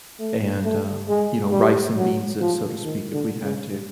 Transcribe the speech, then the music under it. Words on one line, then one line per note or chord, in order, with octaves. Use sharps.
and, um, you know, rice and beans it, so to speak, if we'd had to.
A3
A3
G#3
G3
F#3
F3
D#3
D3
C#3